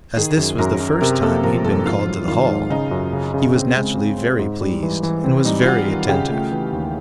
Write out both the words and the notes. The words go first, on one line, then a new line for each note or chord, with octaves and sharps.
As this was the first time he had been called to the Hall, he was naturally very pleased, and was very attentive.
D#3 G#4
F#2
F#2 A#4
F#2
C3 A#4
A#3 A4
F3 A#4
F2 A4
G#2 F4
F#3
D#3 F4
G#2
C#3 D#4
F#2
C#3
C#3
C4
G#3
C4
C4
G#2
G3
E3
E3
C4
G3 D#4
F4
G3 F#4
D#3
C#3 G4
A3
E3
D#2